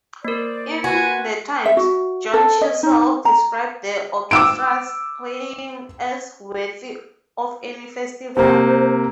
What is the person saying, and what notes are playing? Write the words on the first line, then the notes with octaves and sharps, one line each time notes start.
In "The Times", Joan Chissell described the orchestra's playing as "worthy of any festival".
A#3 A#4 C5 D5
F4 F#4 B4 G#5
E5
F#4
A4
D#5
D#4
A#5
D6 E6 D7
C3 A#3 C5